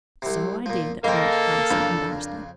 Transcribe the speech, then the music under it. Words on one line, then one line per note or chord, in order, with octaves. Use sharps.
"So I did," acknowledged Allison embarrassedly.
C2 C3
A#2 F3
C#3 A#3 A4 C5 D#5 G5
F2 C#3 F3 D4 A#4